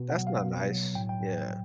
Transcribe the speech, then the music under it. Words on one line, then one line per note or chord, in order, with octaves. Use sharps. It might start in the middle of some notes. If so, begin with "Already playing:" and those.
That's not nice. Yeah.
Already playing: B2
F#5
F#3
F5
B2
F#3
A2 G5
G5